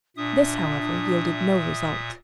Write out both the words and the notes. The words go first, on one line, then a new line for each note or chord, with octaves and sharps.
This however yielded no result.
A#2 D4 E5 D#6